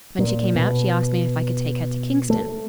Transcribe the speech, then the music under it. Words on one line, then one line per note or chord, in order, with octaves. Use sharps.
When she came out she asked me if I could take her to Kingston.
A#2
B2
A3